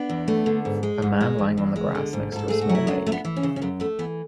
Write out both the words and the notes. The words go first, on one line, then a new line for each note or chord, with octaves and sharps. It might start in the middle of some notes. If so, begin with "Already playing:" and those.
A man lying on the grass next to a small lake.
Already playing: B3 D4
E2
A3
D3
G#2
G#3
G#2
G#3
E2
E2
G#3
D3
G#2
G#2 A4
A3 G#4
F#4
F#3
E4
F#2 B3 D4
A3
B3 D4
E3
C#4
C#3
C#4
F#2 B3
A3 B3
E3 B3